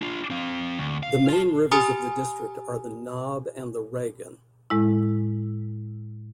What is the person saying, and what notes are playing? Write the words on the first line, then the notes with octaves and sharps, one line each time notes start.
The main rivers of the district are the Naab and the Regen.
D4 F4
C4 F5
D2
F5
F4 A5
G4 G#5 A#5 D#6 F6
A2 G#3 E4